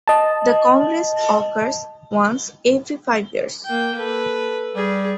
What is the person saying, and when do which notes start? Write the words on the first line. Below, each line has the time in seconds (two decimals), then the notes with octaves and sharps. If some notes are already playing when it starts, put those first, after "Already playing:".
The congress occurs once every five years.
0.08 D#5 A5
3.65 A#3 G5
3.98 A4 B4
4.75 G3 G#4